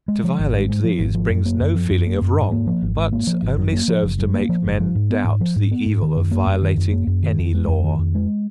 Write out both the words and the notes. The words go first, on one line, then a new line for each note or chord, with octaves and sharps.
To violate these brings no feeling of wrong, but only serves to make men doubt the evil of violating any law.
G#3
F3
G#1
G#2
G#3
F3
G#1
F3
F#2
A#3
F#2
F3
F#2
A#3
F#2
G#2
A#3
F3
G#1
G#2
A#3
F3
G#1
F#2
A#3
F3
F#1
F#2
A#3
F3
F#1
F3
G#2
B3
G#2
F3
G#2
B3
G#2
D#3
F#2
A#3
F#2
D#3
F#2
A#3
F#2
D#3
F2
G#3
F2
D#3
F2
G#3